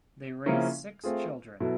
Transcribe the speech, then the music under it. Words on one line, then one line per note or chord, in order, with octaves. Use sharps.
They raised six children.
C#3 F3 A#3 C#4 E4
A3 C4 F4 G#4
B2 F#3 B3 E4 A4